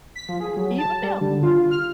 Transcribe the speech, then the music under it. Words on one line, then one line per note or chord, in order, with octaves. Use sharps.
even them.
B6
F3
G#4
F#3
A5
G3
D3
F4
F6